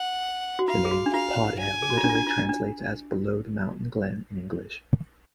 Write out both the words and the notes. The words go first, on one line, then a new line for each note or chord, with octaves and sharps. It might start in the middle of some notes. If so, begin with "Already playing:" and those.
The name Podhale literally translates as "below the mountain glen" in English.
Already playing: F#5
F#4
F4 F5
G#4
F#4
D4
F4 F5
G#5
G#4
F#4
F4
D4
F4
D4
F4
D4
D4